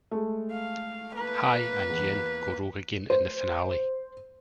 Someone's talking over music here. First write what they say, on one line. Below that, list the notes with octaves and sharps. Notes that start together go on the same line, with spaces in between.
Hei and Yin go rogue again in the finale.
G#3 A3
F5
A#3 B4
E2
C5